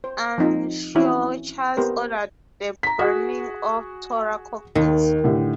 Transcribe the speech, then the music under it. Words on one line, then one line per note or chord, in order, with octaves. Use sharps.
Antiochus ordered the burning of Torah copies.
C5
F3 C4 D#4 F4
E3 C4 C#4 E4 F#4
B3 G4 A#4 C5
A#5 B6
F#4 G#4 F#5
D#2 D#3
A2 D3 G4